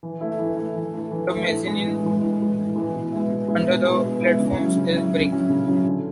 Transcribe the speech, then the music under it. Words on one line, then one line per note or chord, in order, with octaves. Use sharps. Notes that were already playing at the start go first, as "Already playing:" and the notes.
The mezzanine under the platforms is brick.
E3
A3 E4
E3
A3 E4
E3
A3 E4
E3
A3 E4
A2
E3 G#3
A2
E3 G#3
A2
E3 G#3
A2
E3 G#3
B2
G#3 B3 E4
B2
G#3 B3 E4
B2
G#3 B3 E4
B2
G#3 B3 E4
C#3
F#3 C#4 E4
C#3
F#3 C#4 E4
C#3
F#3 C#4 E4
C#3
F#3 C#4 E4
D3